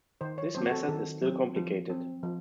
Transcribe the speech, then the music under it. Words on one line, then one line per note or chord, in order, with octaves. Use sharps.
This method is still complicated.
D#3 C5
C#5
F#3 C4 C5
F#4
A4
D#3 A4
F#3 C4
F3
C4
F3